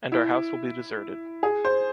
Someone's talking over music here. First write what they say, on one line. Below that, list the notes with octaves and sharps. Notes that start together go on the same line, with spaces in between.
And our house will be deserted.
E4
G#4
C5